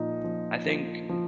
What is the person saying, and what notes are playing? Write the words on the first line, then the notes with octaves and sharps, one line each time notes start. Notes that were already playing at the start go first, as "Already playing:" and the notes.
I think th
Already playing: A#2 F3 D#4
F3
F3
F3